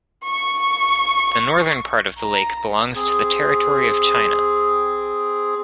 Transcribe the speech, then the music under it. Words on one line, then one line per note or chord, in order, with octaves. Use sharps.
The northern part of the lake belongs to the territory of China.
C#6
A#5
C4 G#4